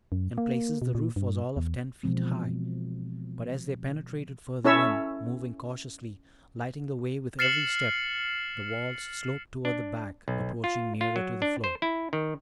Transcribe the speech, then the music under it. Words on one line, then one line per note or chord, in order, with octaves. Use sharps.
In places the roof was all of ten feet high. But as they penetrated further in, moving cautiously, lighting the way with every step, the walls sloped toward the back, approaching nearer to the floor.
F#2
A#3
B2
A#2
G2
E2
B2 E3 F3 G#3 C4
C#4 E4 A4 C#5 E5 E6
F6 A6 C7 C#7 E7 F#7
D4
B1
F4
F4
F#3
D4
C5
E4
D#3